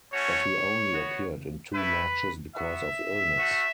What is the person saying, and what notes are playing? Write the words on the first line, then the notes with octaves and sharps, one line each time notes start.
But he only appeared in two matches because of illness.
A3 C#4 F#4 C#5
B3 F#4
A3 E4 B4
B3 F#4 E5
A3 F#4